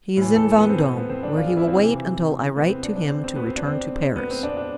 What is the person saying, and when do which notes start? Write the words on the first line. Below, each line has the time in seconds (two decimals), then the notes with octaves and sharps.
"He is in Vendome, where he will wait until I write to him to return to Paris."
0.17 A2 E3
0.36 A4
0.57 B3
0.69 C4
0.97 B3
1.09 C4
1.23 D4
1.37 F4
1.47 G#4
1.57 E4
1.67 C4
1.77 C3 E3
2.57 B3
2.69 C4
2.83 D4
2.96 D4
3.10 C4
3.24 C4
3.36 B2 B3
3.47 C4
3.56 D4
3.67 C4
4.16 B3
4.30 C4
4.43 D4
4.57 D4